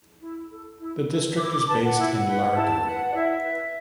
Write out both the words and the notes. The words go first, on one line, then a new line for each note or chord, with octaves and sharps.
The district is based in Largo.
E4
A4
E4
A4
E4 D6
D6
B4 A5
F#5
E4
B4
E4 A5
B4 F#5
D5
E4 E5
B4